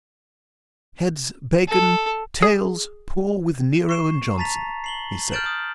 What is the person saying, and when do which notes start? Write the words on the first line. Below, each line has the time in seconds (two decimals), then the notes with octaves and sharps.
"Heads--Bacon; tails--pool with Nero and Johnson," he said.
1.68 A4
2.42 G#4
3.89 C#6 C7 E7
4.38 A5 A#5 A6 B6 F7
4.84 C7 F#7 G7
5.31 F6 G6 A6 D7 E7 F#7
5.46 D#6